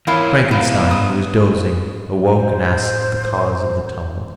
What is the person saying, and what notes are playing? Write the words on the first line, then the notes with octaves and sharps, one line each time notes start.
Frankenstein, who was dozing, awoke and asked the cause of the tumult.
E3 E4 F4 A#4 C#5 F5
B3 E4 B4 F5
D#6
A2 C5